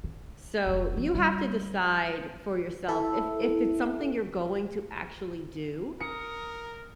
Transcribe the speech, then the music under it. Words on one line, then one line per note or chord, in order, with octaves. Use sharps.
So, you have to decide for yourself, if if it's something you're going to actually do,
D3
F1 E3
F3
D3 G3
E4 A4 E5
A#4 D#6 C#7